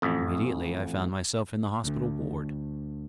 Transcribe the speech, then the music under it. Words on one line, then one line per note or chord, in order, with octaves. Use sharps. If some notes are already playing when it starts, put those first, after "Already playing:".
Immediately I found myself in the hospital ward.
A1 F2
D2 D3